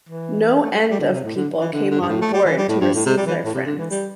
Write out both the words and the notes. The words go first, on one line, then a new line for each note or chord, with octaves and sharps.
No end of people came on board to receive their friends.
E3
A3
G3
A3
G3
D3
C3
A2
D3
E3
D3
D3
G2
A2
A3
G3
E3
G3
A2
G2
A2
C3
G3
E3
A2
C3
D3
E3
G3